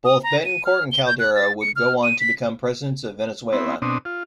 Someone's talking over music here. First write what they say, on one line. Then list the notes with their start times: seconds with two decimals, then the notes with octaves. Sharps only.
Both Betancourt and Caldera would go on to become presidents of Venezuela.
0.05 D#6
0.23 A#5
0.45 D#7
0.65 F6
0.92 G7
1.06 G6
1.19 F#6
1.36 A6
1.61 C#7
1.76 F6
2.03 D#7
2.20 B6
3.52 B3 C4 E4
3.82 B2 C4 D4 D#6
4.05 F4